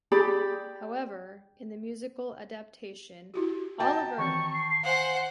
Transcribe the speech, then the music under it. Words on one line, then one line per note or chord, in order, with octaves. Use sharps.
However, in the musical adaptation, Oliver!
G4 G#4 D5 B5
E4 F#4 G4
F#4 D#5 F#5 G5 A5 A#5
D#3 E3 C4 C#6
C7
C5 F5 F#5 G#5